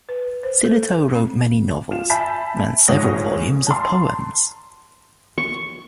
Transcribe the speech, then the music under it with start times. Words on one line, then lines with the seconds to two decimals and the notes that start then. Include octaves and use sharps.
Sillitoe wrote many novels and several volumes of poems.
0.09 B4
0.43 C5
0.64 A4
1.15 C4
1.91 F4 E7
2.10 E5 G#5 A5 B5 G6 B6
2.88 D2 G#2 F3 C#5 D#6 A#6
3.67 A5 A#5 C6
5.38 C#6